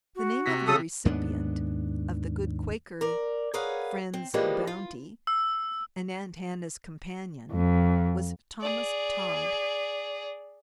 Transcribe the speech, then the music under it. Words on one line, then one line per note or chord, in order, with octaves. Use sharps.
The name of the recipient of the good Quaker friend's bounty and Aunt Hannah's companion, was Thomas Todd.
F#4
C3 A#6 B6
C#3 A4 D#6
D#2 G#2 B3 D4
A#4 D5
G#4 A#4 B4 C#5 F5 F#5
C4
E3 F3 G3 G#3 A#3 D4
F4
E6
F2
G#4 D5